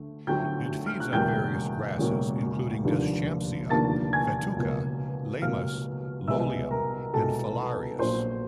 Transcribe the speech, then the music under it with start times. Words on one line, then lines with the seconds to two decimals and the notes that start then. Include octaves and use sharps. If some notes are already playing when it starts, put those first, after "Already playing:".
It feeds on various grasses including "Deschampsia", "Festuca", "Leymus", "Lolium" and "Phalaris".
Already playing: D2 D3 A3
0.27 D2 D3 F#3 A3 G5 G6
0.86 F6
1.00 F#6
1.13 E1 E2 C#3 F#3 A#3 G5 G6
1.99 E1 E2 C#3 F#3 A#3
2.84 F1 D#2 D3 F3 A#3
3.70 F1 D#2 D3 F3 A#3 A5 A6
4.13 G#5 G#6
4.56 C#2 B2 F#3 A#3
5.42 C#2 B2 F#3 A#3 F5 F6
6.28 C2 B2 G#3 B3 E5 E6
6.71 A#4 A#5
7.13 C2 B2 G#3 B3 A4 A5
7.99 A#1 A#2 F#3 C5 C6